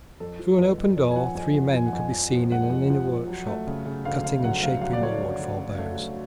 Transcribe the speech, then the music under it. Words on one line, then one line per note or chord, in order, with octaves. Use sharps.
Through an open door three men could be seen in an inner workshop cutting and shaping the wood for bows.
F2 A4
F3
F2 B4
F2
F2 C#5
G#5
F3 F#5
F2 G#5
F2 F#5
F3 G#5
F#5
F2 G#5
F2
F3
G#3 F#5
F2
F3
F2
F#3
A3
C#3
C#3
D2 F5
C#3 F5
F#3 F#5
D2 F5
F#3 F5
D5
A3 C#5
D5
A3
D2
C#3
A3
F#3